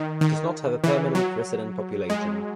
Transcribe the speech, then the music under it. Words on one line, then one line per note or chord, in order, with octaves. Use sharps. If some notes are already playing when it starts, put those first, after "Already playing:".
It does not have a permanent resident population.
Already playing: D#3
D#3
E3
F#3
G#3